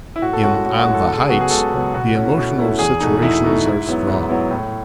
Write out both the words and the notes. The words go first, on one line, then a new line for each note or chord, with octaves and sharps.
In 'On the Heights' the emotional situations are strong.
E4
A2 F#4
A4
G#3 C#4 E4 F#4
F#4
A2 F#4
F#4
G#3 C#4 E4
A4
C#2 A4
G#4
C#3 F#3 B3 F#4
G#4
C#2 A4
C#3 F#3 B3
B2 F#4
A3 C#4 E4
B2
A3 C#4 E4
E2 G#4
B2 A3 D#4
E2 E4
B2 A3 D#4
G#2
F#3 B3 E4
G#2
F#3 B3 E4
A2